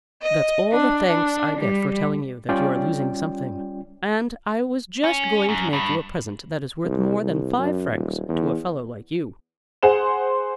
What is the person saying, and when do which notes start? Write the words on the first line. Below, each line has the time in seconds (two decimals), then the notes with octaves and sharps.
"That's all the thanks I get for telling you that you are losing something, and I was just going to make you a present that is worth more than five francs to a fellow like you."
0.22 D#5
0.74 D4
1.08 D4
1.59 G3
2.49 G3 C#4 F4 D5 G5
5.04 C#4
5.49 F#2
5.73 G2
6.85 C2
7.22 C2
7.58 F#2
7.92 D#1
8.29 E2
9.83 G#4 C5 F#5 C6 E7